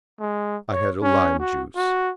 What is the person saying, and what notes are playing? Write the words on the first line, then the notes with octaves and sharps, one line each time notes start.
I had a lime juice.
G#3
C#5
C#4
F#4
F#4